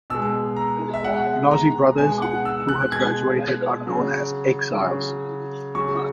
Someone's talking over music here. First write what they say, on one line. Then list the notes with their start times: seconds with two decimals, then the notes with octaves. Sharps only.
NoZe Brothers who have graduated are known as Exiles.
0.10 B2 G#3 E6
0.56 A#5
0.94 E5
1.04 B2 G#3 F#5
1.51 A#5
1.98 B2 G#3 G#5
2.22 F#5
2.45 E6
2.69 F#6
2.92 B2 G#3 G#6
3.87 C#3 F#3
4.80 C#3 F#3
5.75 C#3 F#3 C#6